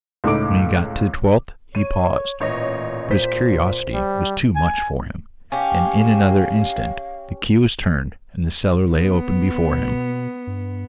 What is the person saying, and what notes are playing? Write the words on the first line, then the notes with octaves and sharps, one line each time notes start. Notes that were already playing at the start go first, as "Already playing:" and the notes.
When he got to the twelfth he paused, but his curiosity was too much for him, and in another instant the key was turned and the cellar lay open before him.
C#2 A2 D#4 A4 D6 D7
C#5 D#7
A1 A#2 C#5 D#5
C5 B6
G3
G#5
C#4 G4 F5
B3
B2
G2